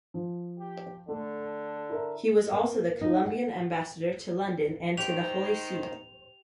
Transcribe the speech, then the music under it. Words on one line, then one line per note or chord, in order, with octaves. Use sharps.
He was also the Colombian ambassador to London and to the Holy See.
F3
G4
D3 A3
E4 A#4 E5
A#3
D#4
F#5
D#3 G4 C5 F7